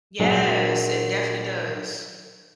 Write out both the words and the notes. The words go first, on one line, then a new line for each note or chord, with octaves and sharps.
Yes, it definitely does.
A#2 F#3 D4 G#4 A#4